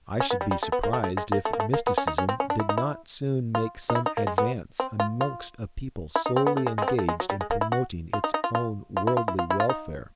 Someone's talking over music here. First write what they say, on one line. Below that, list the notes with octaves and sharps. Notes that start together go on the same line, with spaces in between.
I should be surprised if mysticism did not soon make some advance amongst a people solely engaged in promoting its own worldly welfare.
C#4
B3
G3
G3
A3
B3
A#3
A3
A3
G#3
A#3
A3
A#3
A3
A#3
B3
C#4
D#4
C#4
C4
C#4
D4
E4
D#4
E4
F4
D#4
E4
D#4
A#3
G#3
B3
C4
F4
F4
E4
D#4
C4
B3
A3
G#3
G#3
C4
B3
A3
G#3
F#3
G3
G#3
A#3
E4
F#4
F4
D#4
D#4
F4
F4
F4
E4
F4
E4
F4
E4
F4
D#4